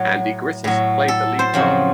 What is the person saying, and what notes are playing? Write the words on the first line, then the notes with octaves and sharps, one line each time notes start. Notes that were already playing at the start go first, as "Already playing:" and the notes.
Andy Griffith played the lead role.
Already playing: A2 F#3
A2 F#3
A4
C5
F2 C#3 F#3